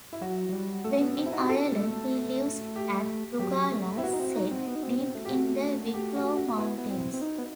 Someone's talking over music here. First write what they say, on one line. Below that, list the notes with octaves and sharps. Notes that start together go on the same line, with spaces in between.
When in Ireland, he lives at Luggala set deep in the Wicklow Mountains.
E4
F#3 F#4
F#3
G3
A3 A4
B3
C4
E4
D#4 F#4
G4
A4
G3
A3
G4
F#3 G4
A3
C4 E4
B3 F#4
D#4
C4
D#4
C4
B3
D#4
C4
C4
A3
G4
F#4
G4
F#4
F#4
B3 E4
B3
C4
C4
D#4
B3